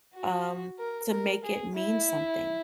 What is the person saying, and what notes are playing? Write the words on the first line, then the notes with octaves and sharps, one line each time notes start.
um, to make it mean something.
F#4
A#4
A#4
G#4
E4